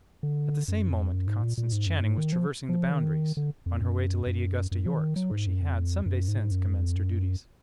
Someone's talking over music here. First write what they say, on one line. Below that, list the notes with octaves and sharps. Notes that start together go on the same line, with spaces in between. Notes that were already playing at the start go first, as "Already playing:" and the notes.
At the same moment Constance Channing was traversing the Boundaries, on her way to Lady Augusta Yorke's, where she had, some days since, commenced her duties.
D3
F#2
F2
F#2
G#2
A#2
A#2
G#2
F#2
G#2
D#3
F3
F3
D#3
D3
F2
F#2
F#2
F#2
F3
D#3
F#3
G#2
F#2
F2
F#2
G#2
F#2
F2
F#2